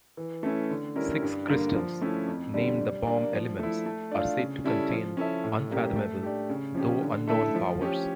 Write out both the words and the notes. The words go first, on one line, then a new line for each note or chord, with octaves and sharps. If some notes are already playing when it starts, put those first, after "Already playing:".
Six crystals, named the "Bomb Elements," are said to contain unfathomable, though unknown, powers.
E3
A3 C#4 E4
D3
G3 C#4 E4 A#4
G2
D3 G3 A#3 D4
F3
A3 C#4 E4
F2
D3 G3 D4
G3
A#3 D4
F3
A3 E4
A3
D4 F4
C#3
G3 C#4 E4 A4
F3
C#4 E4 A4 E5
A2
G3 A#3 C#4 G4
A3
D4 G4
C#3
F3 C#4 G4
D3
A3 E4 A4 E5
F3
C#4 G4 C#5